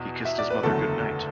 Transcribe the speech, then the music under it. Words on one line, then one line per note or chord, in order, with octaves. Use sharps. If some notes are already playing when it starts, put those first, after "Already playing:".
He kissed his mother good-night.
Already playing: E2 B2
E5
D5
B4
F#1 E2 D3 F#3 A3 A4